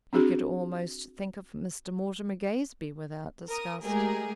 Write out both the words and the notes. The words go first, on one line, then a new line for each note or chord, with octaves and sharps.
He could almost think of Mr. Mortimer Gazebee without disgust.
C4 D4 F#4 G#4
A#4 D#6
G#3 A3 G4 G#4 A#4